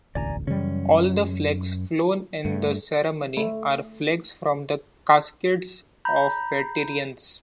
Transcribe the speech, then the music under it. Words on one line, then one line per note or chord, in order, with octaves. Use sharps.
All the flags flown in the ceremony are flags from the caskets of veterans.
E1 A1 D2 D5 G#5 A#5
F#2 C#3 E3 G3 C#4
G2 A3
A3
A#5 B5 G6